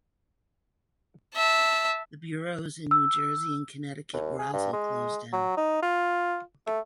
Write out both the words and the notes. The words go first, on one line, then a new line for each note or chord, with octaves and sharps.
The bureaus in New Jersey and Connecticut were also closed down.
E5 A5
E6
D#2
G#4
G2
G#3
F#3
D#4
F4
A3